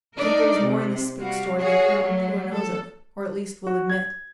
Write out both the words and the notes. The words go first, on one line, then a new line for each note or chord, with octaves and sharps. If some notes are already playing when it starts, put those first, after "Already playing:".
"I think there is more in this spook story than Colonel McClure knows of, or, at least, will admit."
D4 D#4 A#4 D5
C3
G3 F#4 F5
F#4 G#4 C#5 F5
F#3 A3
A4
F#4
G#6